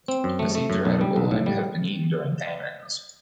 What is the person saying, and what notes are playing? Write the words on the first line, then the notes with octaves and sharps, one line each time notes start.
The seeds are edible and have been eaten during famines.
C4
F#2
A3
A3
F#2
B1
G3
B1
A2
G3